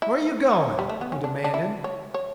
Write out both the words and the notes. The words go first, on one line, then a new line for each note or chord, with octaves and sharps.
"Where're you going?" he demanded.
E4
G3
A3
B3
C#4
D4
D4
E4
C#5
C#5